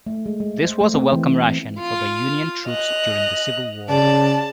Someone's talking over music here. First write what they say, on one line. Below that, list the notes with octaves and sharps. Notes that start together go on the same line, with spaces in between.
This was a welcome ration for the Union troops during the Civil War.
A3
G#3
G#3
C5
A3
C4
E3
C4
C4
F4 F5
D#5 F#6 F7
C#3 D5 A5